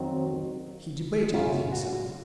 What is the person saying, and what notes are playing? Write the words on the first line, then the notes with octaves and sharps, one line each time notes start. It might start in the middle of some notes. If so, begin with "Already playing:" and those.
He debated with himself.
Already playing: F2 D#3 F#3 C4
F#2 C#3 F#3 F4
F#4